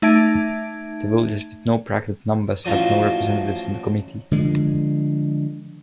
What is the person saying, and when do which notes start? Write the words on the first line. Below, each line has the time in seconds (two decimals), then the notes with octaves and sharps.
The villages with no bracketed numbers have no representatives in the committee.
0.02 A3 D#4 E5 A5 G#6 D7
2.65 A1 F3 F#3 D#6
4.31 D3 F3 G#3